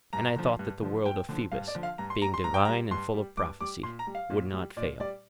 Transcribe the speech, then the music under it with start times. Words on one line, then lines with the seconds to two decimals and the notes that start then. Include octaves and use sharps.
And I thought that the word of Phoebus, being divine and full of prophecy, would not fail.
0.13 G2 A#5
0.36 D3 F3
0.59 G2
0.82 D3 F3
1.06 G2 G5
1.29 D3 F3
1.52 G2 F5
1.68 D5
1.75 D3 F3
1.83 F5
1.98 G2 A#5
2.10 C6
2.22 G3 A#5
2.34 C6
2.44 G2 A#5
2.54 G5
2.65 A#5
2.68 G3
2.91 G2 C6
3.14 G3
3.37 G2 D6
3.60 G3 D6
3.83 A#2 C6
3.99 A#5
4.07 G3
4.15 F5
4.30 A#2
4.53 G3
4.77 A#2 D5
5.00 G3 D5